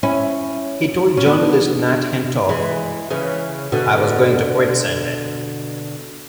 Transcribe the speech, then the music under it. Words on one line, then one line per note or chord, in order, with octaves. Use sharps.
He told journalist Nat Hentoff: I was going to quit singing.
C#4 E4
C#4
B3 D4
E3 G#3
C#3 E3
B2 D3